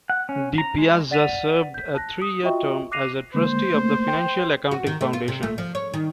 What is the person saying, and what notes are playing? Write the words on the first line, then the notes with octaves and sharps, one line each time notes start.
DiPiazza served a three-year term as a trustee of the Financial Accounting Foundation.
F#5
C#4
A#5
G#3
D5 F#5 A6 B6 D#7 F7
G6 B6
A5 F#6 A#6
D#6
F4 F#4 D#5 E5 G5 C#6
D6 F#6 A#6 C7 D#7 F7
D3 G#3 A#3 C5
A3 A#3
G5
F#4
D#3
A3
F4
C3
A3
F3
C#5
D#3